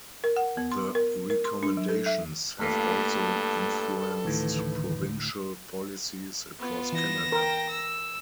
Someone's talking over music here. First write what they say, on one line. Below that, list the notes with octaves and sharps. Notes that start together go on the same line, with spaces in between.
The recommendations have also influenced provincial policies across Canada.
A#4
F#5
B3
C6
A#4
A#4
C6
D4
F#3
A4
E5
G2 A3 A#3 F4 A4
D2 A2 D#3 E3 B4
B3 F4
E3 A#6 E7
A#4 G5
E6